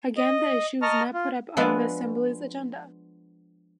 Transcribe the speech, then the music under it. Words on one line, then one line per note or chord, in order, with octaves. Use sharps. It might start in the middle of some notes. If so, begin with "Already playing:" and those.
Again the issue was not put on the Assembly's agenda.
D#5
D#5 A5 A#5 C#6 F6
F4
F3 G#3 B3 D4 E5